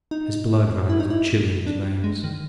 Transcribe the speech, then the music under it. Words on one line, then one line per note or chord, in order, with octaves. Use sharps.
His blood ran a little chilly in his veins.
D#4
E4
D#4
E4
D4
G#3
D#3